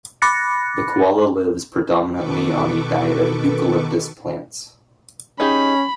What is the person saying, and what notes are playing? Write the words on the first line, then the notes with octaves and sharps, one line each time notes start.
The koala lives predominantly on a diet of eucalyptus plants.
B5 D6 F#6 A6 A#6 C#7
B2 D#3 A4 B4 C#6 D6
C#4 D#4 G4 G#4 B5